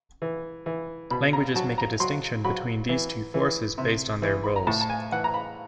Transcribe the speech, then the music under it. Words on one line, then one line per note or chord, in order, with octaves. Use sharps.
Languages make a distinction between these two forces based on their roles.
E3
E3
B2 B5
A#5
F#3 A5
A#5
F#3 C6
F#3 B5
E3
E3
C3
E3
B5
A#5
A2 A5
A5
G#5
E3 F#5
A#5
B5